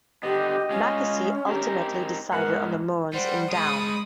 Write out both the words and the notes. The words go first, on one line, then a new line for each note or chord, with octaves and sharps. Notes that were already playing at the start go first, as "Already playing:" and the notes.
Macassey ultimately decided on the Mournes in Down.
D3 B3 G4 D#5
G#3 C#4 F4 G#4
C4 D#4 G4 A#4
G#2 B2 A#4 F#5
G3 C5 F#5
G#3 A5 B5 D#6